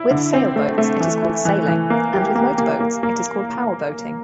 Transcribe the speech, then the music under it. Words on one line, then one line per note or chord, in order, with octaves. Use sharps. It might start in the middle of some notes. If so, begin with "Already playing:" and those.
With sailboats, it is called sailing, and with motorboats, it is called powerboating.
Already playing: E4
D3
C4
A3
A3
E3
E4
E3
E3
A#3
G4
A#3
A#3
A#3
A#3